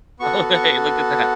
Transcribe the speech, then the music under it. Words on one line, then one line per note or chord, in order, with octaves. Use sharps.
Oh, hey, look at that.
B3 F#4 A4 C#6
C#6